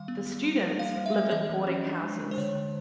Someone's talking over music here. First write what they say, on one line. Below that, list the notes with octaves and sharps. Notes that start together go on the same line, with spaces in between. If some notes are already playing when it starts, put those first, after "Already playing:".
The students live in boarding houses.
Already playing: D#3 G3 F5
B3
G3
G3
A#3
G3 F5
G3
E5
C4
E3 D#5
E3
C#4
D4
G#3
G#3
C5
D3 C#5
D3